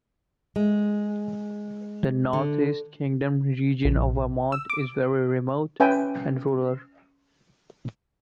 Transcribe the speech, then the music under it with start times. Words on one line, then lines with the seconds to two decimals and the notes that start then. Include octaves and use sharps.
The Northeast Kingdom region of Vermont is very remote and rural.
0.56 G#3
2.33 D3
3.85 A#1
4.52 E6
4.70 D6
5.80 C#4 B4 E5 G5 G#5